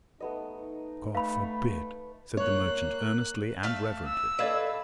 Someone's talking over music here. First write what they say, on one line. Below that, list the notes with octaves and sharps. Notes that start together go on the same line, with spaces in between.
"God forbid!" said the merchant earnestly and reverently.
A3 B3 D#4 D#5
A3 B4 F5 B5
A#3 C#5 F#6
A3 E5 F5
E6
A4 B4 D5 D#5 F5 B5 G#6